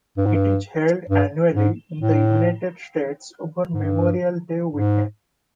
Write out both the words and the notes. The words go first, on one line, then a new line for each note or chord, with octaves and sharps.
It is held annually in the United States over Memorial Day weekend.
G2
G#2
G2
G2
G#2
A2
G#2
G2
G#2